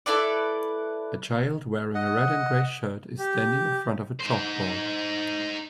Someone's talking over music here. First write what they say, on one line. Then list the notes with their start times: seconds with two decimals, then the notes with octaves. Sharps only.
A child wearing a red and gray shirt is standing in front of a chalkboard.
0.06 E4 A4 B4 D5
1.95 D#5 F#5
3.19 G4
4.21 D#4 C5